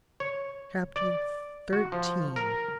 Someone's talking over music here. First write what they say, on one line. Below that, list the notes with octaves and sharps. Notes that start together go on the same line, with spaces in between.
Chapter XIII.
C#5
D5
F#4
F3
A#4